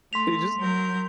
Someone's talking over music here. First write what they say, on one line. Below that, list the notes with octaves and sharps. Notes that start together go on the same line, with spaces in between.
You just
A3 C6 B6 F7
F#3 A#4 G6